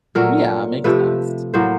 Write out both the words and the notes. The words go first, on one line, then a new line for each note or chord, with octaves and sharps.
Yeah, makes sense.
A#2 F#3 A3 A#4
C3 F3 A3 B4
A2 F#3 A#3 C5